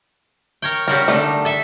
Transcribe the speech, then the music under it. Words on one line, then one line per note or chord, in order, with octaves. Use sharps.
kind of
A#4 C#5 G5
G3 F#4 A#4 C#5
D3 A3 D4 D#4
A4 E5